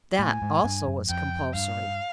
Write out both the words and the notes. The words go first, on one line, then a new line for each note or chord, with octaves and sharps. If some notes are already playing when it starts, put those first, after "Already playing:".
That also was compulsory.
A2 G#5
G#2
G2
F#2
F2 G5
G2 F5